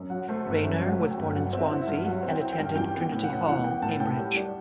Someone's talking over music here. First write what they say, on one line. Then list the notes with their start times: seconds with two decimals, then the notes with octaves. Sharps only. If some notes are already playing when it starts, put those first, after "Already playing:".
Raynor was born in Swansea and attended Trinity Hall, Cambridge.
Already playing: F#2
0.10 F#3 F#5
0.28 A3 C5
0.46 G1 C5
0.64 F#2 E5
0.81 F#3
0.88 F#5
0.99 A3
1.11 G5
1.17 G1
1.34 F#3 F#5
1.53 C4
1.58 E5
1.70 E4 F#5
1.81 E5
1.87 G2
2.05 F#3 F#5
2.23 C4
2.28 G5
2.40 E4
2.53 G5
2.59 G2
2.76 E3 G5
2.94 B3
3.00 G5
3.12 A2
3.23 F#5
3.29 A2
3.47 E3 F#5
3.64 B3 G5
3.82 A2 A5
4.00 A2 G5
4.18 G3
4.35 D4